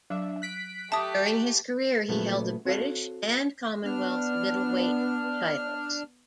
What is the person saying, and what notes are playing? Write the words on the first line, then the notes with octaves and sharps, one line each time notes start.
During his career he held the British and Commonwealth middleweight titles.
F#3 D4 E5
F#6 B6 D7
A3 G4 E5 A5 D6 D#6
A#2 C#3 F3 F#3 A3 B3
C4 F#4 A4 C#5 F5
B3 D4 F6